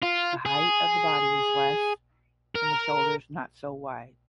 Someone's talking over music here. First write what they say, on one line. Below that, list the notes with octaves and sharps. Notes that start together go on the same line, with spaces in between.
The height of the body was less, and the shoulders not so wide.
F4
G#4
A#4